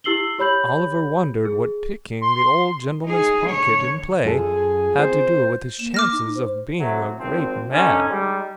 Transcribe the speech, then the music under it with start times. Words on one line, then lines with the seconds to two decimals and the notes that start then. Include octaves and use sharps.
Oliver wondered what picking the old gentleman's pocket in play, had to do with his chances of being a great man.
0.04 E4 G4 E6 C7 F#7 G7
0.39 G4 C#5 B5 G6 F#7
1.45 G#4
2.22 C6
3.05 D#4 G#4
3.50 D3 C#5
4.25 F#2 F4 G#4 A4
4.98 C4 F4 C5
5.79 A#3 E7
5.94 D6 F6 A#6
6.12 D#4
6.35 C5
6.79 C3 F#3 A3
7.18 G#1 F3 C4
7.72 D3 C#4 D#4
8.09 G3 G#3 D#4